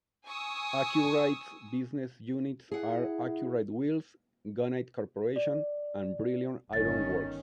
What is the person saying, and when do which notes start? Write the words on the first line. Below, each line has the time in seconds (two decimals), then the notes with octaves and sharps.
Accuride's business units are Accuride Wheels, Gunite Corporation, and Brillion Iron Works.
0.26 G#5 C#6 D#6 E6
2.71 E4 G#4 F#5
5.36 D5
6.73 G1 D#3 C#4 A6